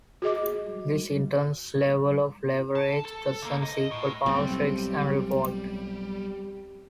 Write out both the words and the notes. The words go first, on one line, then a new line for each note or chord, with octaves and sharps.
This intense level of leverage presents equal parts risk and reward.
F#4 G#4 D#5 D6
A5
A4
D3 A#3
D#5
A2
B1 F#2 A2 G3 C4 G4